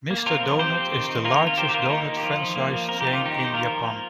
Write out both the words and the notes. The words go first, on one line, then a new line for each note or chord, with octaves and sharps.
Mister Donut is the largest donut franchise chain in Japan.
A#3
C4 F4 A#4
F3
C4 G4 C5
C4
D#3
D#3
A#3 F4 A#4
F4 A#4
D#3
F4 A#4
D#3 G4 C5
G4
A#3 F4 A#4
A#3 D#4
D#3
G4
F3 F4
F3
A#3
F3
C4 A#4
D#3 G4
F4
D#3 D#4 G4
D#3
C5
A#3 F4 A#4
F3
A#3